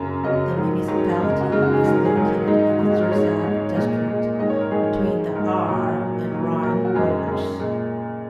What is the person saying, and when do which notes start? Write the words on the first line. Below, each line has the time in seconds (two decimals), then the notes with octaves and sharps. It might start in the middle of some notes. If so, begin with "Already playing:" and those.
The municipality is located in the Zurzach district, between the Aare and Rhine rivers.
Already playing: F#2 C#3 F#3
0.23 F#2 C#3 F#3 D#5
0.56 G#2 D#3 F#3
0.88 G#2 D#3 F#3
1.20 F#2 C#3 G#3
1.30 A#4
1.41 F#4
1.51 F#2 C#3 G#3 D#4
1.62 F#4
1.73 G#4
1.84 G#2 D#3 F#3 A#4
1.94 A#4
2.05 G#4
2.16 G#2 D#3 F#3
2.47 G#2 G#3 D#4
2.59 D#4
2.69 F#4
2.79 G#2 G#3
2.90 F#4
3.01 A#4
3.12 G#2 G#3 C#5
3.43 G#2 G#3
3.75 A#2 G#3 D#5
4.08 A#2 G#3
4.39 G#2 D#3 G#3 D#5
4.50 C#5
4.61 A#4
4.71 G#2 D#3 G#3 G#4
5.04 G#2 G#3
5.35 G#2 G#3 A#4
5.67 A#2 F#3
5.99 A#2 F#3
6.32 A#2 F#3
6.63 A#2 F#3 A#4
6.85 F#4
6.95 F#2 D#3 G#3 G#4
7.27 F#2 D#3 G#3
7.59 A#2 G#3